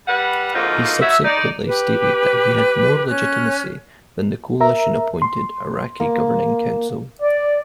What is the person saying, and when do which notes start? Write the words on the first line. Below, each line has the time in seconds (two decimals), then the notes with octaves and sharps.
He subsequently stated that he had more legitimacy than the Coalition-appointed Iraqi Governing Council.
0.08 G3 B4 F#5
0.55 D2 G#2 F3 A#3 C4 D#4
1.02 D#4 F#4 C#5 E5
1.25 D#4 D5
1.67 G4 B4
3.07 C#4 F#6
4.60 A#4 E5 A#5
5.22 C6
6.00 A#3
7.22 D5